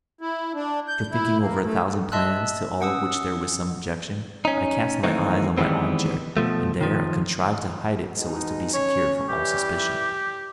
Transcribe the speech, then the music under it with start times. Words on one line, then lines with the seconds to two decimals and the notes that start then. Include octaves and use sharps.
After thinking over a thousand plans, to all of which there was some objection, I cast my eyes on my arm-chair, and there I contrived to hide it so as to be secure from all suspicion.
0.21 E4
0.55 D4
0.88 G6
1.11 E4
1.40 A#3
1.63 A3
2.12 D#5 E5 A5 C6 E6 F#6
2.81 C#4 F#5 D#6 E6
4.45 C#4 D#4
5.03 D#3 E3 A3 A#3 C4 D#4
5.57 D#3 E3 G3 G#3 B3 C4
6.37 B2 F3 A3
6.81 D#3 F3
8.18 B2 G#3 D#4
8.74 C#4 C#5
9.29 E3 G3 G4